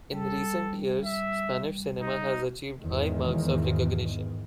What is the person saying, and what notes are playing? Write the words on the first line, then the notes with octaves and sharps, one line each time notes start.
In recent years, Spanish cinema has achieved high marks of recognition.
G3 A4
E5
D#4
E2 G#2 D#3